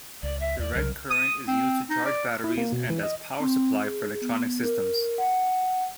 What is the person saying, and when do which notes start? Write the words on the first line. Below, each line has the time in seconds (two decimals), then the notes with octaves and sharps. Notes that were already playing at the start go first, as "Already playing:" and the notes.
Direct current is used to charge batteries and as power supply for electronic systems.
0.23 C#2 D5
0.40 E5
0.59 D#2 D5
0.74 C2 C#3 F#3 A#4
1.10 D#6
1.47 C4
1.90 D#4
2.05 D5
2.44 E4
2.57 A#3
2.72 B2
2.90 E3
3.03 D#5
3.40 C4
3.84 G#4
4.22 B3
4.63 A#4
5.18 F#5